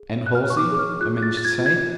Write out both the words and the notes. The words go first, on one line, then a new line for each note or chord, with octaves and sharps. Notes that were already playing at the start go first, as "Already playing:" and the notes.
"And Halsey?" I managed to say.
Already playing: G#4
C#5
F#6
F6
C#5
C#6
D6
G#4 D6
F6
F4 F#6
A6
F4
A6
G#6
F4
G#6